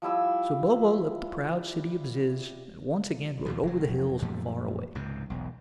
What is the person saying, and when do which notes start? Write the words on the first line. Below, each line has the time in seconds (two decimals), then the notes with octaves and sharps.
So Bobo left the proud city of Zizz, and once again rode over the hills and far away.
0.02 F3 G3 E4 E6
3.46 D#2 B2 F3
3.63 F1 F#3
4.22 F#2 A#2 F3 A3
4.95 C#2 G#2 C3
5.30 E1 B1